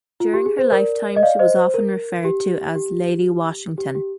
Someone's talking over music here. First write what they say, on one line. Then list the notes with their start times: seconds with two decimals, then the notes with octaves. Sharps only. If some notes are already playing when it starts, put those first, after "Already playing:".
During her lifetime she was often referred to as "Lady Washington".
0.20 F4
0.34 G4
0.46 G#4
0.58 C5
0.72 A#4 D5
1.16 D#5
1.23 D5 F5
1.39 C5 D#5
1.56 C5
1.74 A#4
2.25 G4
2.75 G4
3.78 G4
3.95 G4